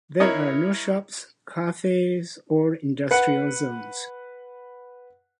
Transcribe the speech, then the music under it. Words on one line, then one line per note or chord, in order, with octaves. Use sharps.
There are no shops, cafes or industrial zones.
E4 A#4 C#5 D#5
B4 F#5 C#7